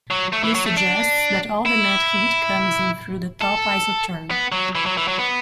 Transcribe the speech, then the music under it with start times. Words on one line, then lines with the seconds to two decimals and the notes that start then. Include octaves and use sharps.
This suggests that all the net heat comes in through the top isotherm.
0.11 F#3
0.33 A3
0.43 E3
0.55 F#3
0.66 A3
0.77 D4
1.66 E4
3.41 A4
4.31 B3
4.52 F#3
4.75 E3
4.86 F#3
4.97 E3
5.08 F#3
5.19 B3